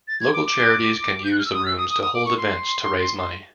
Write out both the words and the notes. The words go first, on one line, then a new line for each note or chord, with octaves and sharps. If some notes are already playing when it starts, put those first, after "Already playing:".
Local charities can use the rooms to hold events to raise money.
A6
G#6
D6
D6
G6
F#6
F6
E6
D#6
E6
D#6
D#6
D#6
D6
C#6
C6